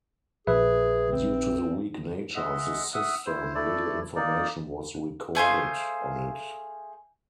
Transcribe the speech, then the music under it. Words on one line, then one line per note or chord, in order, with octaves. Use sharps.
Due to the weak nature of the system, little information was recorded on it.
A#1 G#4 B4 E5
C4
G#3 D#5 E5 F#5
E5 F#5 D#6
E4 C5
A3 E4 A4 D5
A#3 D#4 D5
A3 G#4 C5 F5